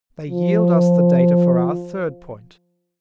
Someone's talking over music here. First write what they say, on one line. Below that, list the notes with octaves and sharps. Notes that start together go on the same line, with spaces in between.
They yield us the data for our third point.
F3